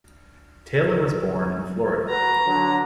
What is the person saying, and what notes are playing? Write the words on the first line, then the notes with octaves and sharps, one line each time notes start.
Tayler was born in Florida.
F#4 B4 A#5
D3 F#3